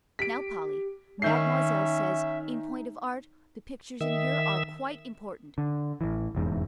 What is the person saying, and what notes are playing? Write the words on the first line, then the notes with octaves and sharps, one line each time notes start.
"Now, Polly, Mademoiselle says, in point of art, the pictures in here are quite important."
G4 B6 D7
D#3 C#4 D#4 E5 G6 C7
D#3 E5
D3
A1 E3
F1 E2 G#2